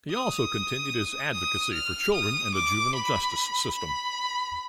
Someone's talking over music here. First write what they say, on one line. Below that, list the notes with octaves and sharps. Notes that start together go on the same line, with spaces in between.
He also continued his advocacy for children in the juvenile justice system.
D#6
D#6
F6
D#6
D6
B5
B5